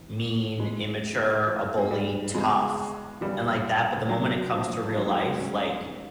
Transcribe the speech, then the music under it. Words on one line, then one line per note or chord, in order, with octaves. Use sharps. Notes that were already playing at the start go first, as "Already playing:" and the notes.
mean, immature, a bully, tough, and like that, but the moment it comes to real life, like
Already playing: A2 E3
A2 E3 G#3
A2 E3
G#3
G3
E2 C#3 E3 G#3
F#2 C#3 E3 G3
F#2 D3 F#3
F3
F3
G#2 D#3 F#3
F#3
G3
G#3
C#4
G#2 D#3